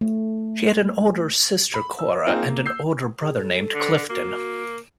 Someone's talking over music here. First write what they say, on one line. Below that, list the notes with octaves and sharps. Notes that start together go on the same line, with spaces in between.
She had an older sister, Cora, and an older brother named Clifton.
A3
B5
E6
A#3 C4 D#4 F4 G#4
A#3
E6 G6 C7
G#4
A4
D3
A#3 F#4